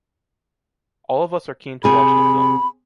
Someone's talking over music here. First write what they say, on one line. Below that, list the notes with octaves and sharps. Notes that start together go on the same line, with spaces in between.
All of us are keen to watch the film.
C3 G#4 B5